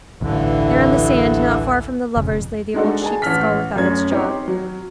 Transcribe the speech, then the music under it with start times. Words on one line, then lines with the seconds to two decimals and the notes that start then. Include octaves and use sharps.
There on the sand not far from the lovers lay the old sheep's skull without its jaw.
0.21 A1 D2 G2 D3 E3
2.16 E1 F2 C#3
2.74 G#3 D4 D#4 F#4 A4
3.02 G#4 G#5 A5
3.22 A1 C#4 F6 B6
3.76 F#2 A3 C#4 G#6
4.10 C4 D#4 G4 C5 C#5
4.48 F#3